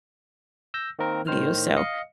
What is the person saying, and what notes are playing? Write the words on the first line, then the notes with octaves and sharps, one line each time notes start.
you, so,
E6 G6 A#6
D#3 A#3 C4 A#4
A2 D#3 C5 F6
D#5 F5 C#7